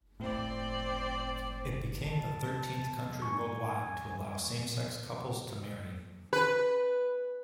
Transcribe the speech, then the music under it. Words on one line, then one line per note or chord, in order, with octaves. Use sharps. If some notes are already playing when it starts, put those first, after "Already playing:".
It became the thirteenth country worldwide to allow same-sex couples to marry.
A2 C4 D5
A5
G#5 C#6
B4